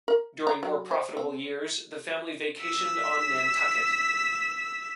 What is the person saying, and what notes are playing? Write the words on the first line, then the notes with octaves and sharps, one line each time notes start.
During more profitable years, the family vacationed on Nantucket.
A#4
A#5
F#3
C5
C4
E6 B6